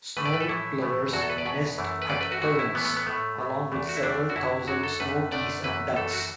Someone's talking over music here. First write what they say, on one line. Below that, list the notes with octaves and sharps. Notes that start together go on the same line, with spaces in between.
Snowy plovers nest at Owens along with several thousand snow geese and ducks.
A2 E3 A3 B4
D5
B4
A4
A2 E3 A3 E4
A2 E3 A3
E2 B2 F#3 F#4
A4
B4
D5
E2 B2 F#3 B4
F#2 E3 A3
B4
F#2 E3 A3 D5
B4
F#4
A2 E3 A3 F#4
E4
A2 E3 A3 B3
B3
B3
A2 A3
A2 A3
E2 E3 A3
F#4
E4
E2 E3 A3 D4
F#4
F#2 D3 F#3 E4
F#2 D3 F#3 F#4
A4
F#2 D3 A3 B4
F#2 D3 A3 D5
F#2 E3 A3 B4
F#2 E3 A3 A4
F#4